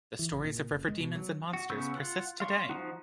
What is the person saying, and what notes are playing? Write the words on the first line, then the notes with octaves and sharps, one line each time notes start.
The stories of river demons and monsters persist today.
E3
A1
A#2
F#1
G#3
B2
F#3
F#4
C#3 B3 C#6 E6 G6
F4 F#5
F5 C6 C#6
F3 C4 D#4 F#4